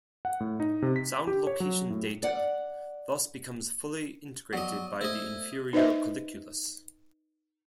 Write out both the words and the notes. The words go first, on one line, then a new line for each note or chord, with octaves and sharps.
Sound location data thus becomes fully integrated by the inferior colliculus.
F#5
A2
D#4
C3
B6
G4
C#5
F#3
A2
D5 F#5
F#3 B3 D5 D#5
A3 E4 C5 D#5
D#4 B4 C5 D#5 E5